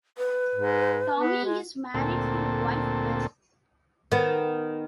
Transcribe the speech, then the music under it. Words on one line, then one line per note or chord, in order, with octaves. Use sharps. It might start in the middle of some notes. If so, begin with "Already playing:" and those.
Tommy is married to wife Beth.
B4
G#2
B3
G#3
D2 A#2 C4 A4
D#3 B3